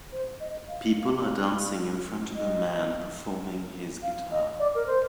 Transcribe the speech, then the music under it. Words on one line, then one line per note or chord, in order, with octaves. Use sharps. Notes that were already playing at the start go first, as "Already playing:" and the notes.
People are dancing in front of a man performing his guitar.
C5
D#5
F5
D#5
F5
D#5
D5
A#4
C5